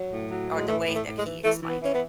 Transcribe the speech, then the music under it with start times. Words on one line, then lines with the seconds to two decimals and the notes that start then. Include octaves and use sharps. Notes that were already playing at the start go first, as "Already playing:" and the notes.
or the way that he explains it.
Already playing: F#3
0.12 A2
0.30 F#3
0.50 A2
0.57 G#3
0.68 E3 A3
0.87 A2
0.94 A3
1.05 A2
1.18 G#3
1.24 E3
1.43 E3 A3
1.62 E3
1.69 B3
1.81 E3 C#4
1.93 B3